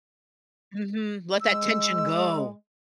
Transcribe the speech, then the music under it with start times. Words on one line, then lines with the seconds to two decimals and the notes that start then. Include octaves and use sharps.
Mhm, let that tension go.
1.41 G#3 E6